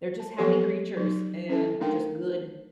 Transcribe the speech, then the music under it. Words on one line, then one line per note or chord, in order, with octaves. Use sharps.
they're just happy creatures and just good,
A5
F3 F#3 B3 G4 A4 C#5
F#3 D#4
C#4 E4 A4 A5
A3 D4 D#4 A#4 F5 G5